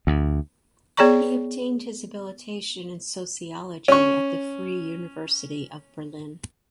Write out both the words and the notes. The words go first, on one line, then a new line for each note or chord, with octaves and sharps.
He obtained his Habilitation in sociology at the Free University of Berlin.
D2
B3 G#4 C#5 D5 A#5 C#6
C#4 C#6